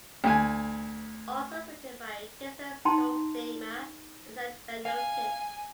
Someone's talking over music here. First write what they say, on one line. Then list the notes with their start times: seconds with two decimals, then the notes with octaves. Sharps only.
All songs written by Jason Stollsteimer except where noted.
0.24 D2 G#5
2.85 D#4 G5 A5 A#5 C6
4.85 F5 G#5